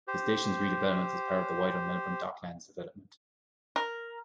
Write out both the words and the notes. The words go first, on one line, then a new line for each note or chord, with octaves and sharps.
The station's redevelopment is part of the wider Melbourne Docklands development.
G4 C5
A#4